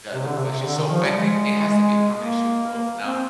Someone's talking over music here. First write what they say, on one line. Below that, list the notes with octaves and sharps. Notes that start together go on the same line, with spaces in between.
the the reflection so, I think it has to be a combination of both; now,
C3
D3
C3
C3
D3
D#3
F3
G3
G#3
G#3
A#3
A#3
C4